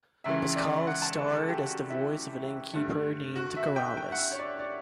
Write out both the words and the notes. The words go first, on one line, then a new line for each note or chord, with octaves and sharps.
Pasquale starred as the voice of an Innkeeper named Garralus.
C#2 C#3 E3 E5
D5
F#5
A5
B4
A4
G4
F#4
E4
G2 D3 A3
F#4
E5
G5
G5
F#5
E5
C#5
D5
D5